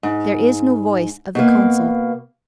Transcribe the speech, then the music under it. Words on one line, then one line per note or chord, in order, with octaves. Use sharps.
There is no voice of the council.
G#2
B2 A#3